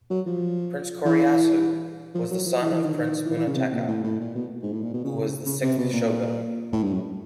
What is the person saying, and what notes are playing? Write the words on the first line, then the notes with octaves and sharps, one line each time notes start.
Prince Koreyasu was the son of Prince Munetaka who was the sixth shogun.
F#3
F3
E3
F3
F#3
F3
E3
E3
D#3
D#3
E3
E3
C#3
C3
A#2
A2
A2
A#2
B2
G#2
A2
A#2
B2
C#3
C#3
C3
B2
A#2
A2
G2
F#2